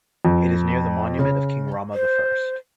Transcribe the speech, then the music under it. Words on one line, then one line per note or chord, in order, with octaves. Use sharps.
It is near "The Monument of King Rama the First".
F2
C#3
C5